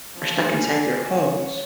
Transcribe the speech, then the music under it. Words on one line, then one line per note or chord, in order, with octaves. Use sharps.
are stuck inside their homes.
F3 C#4
G#5
C#5